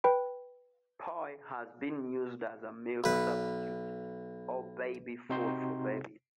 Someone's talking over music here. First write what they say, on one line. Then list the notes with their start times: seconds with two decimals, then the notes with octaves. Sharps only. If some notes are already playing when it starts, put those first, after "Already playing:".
Poi has been used as a milk substitute or baby food for babies.
0.04 B4 G5 B5
3.04 B1 B4
5.30 C3 C4 D#4 F#4 C5 C6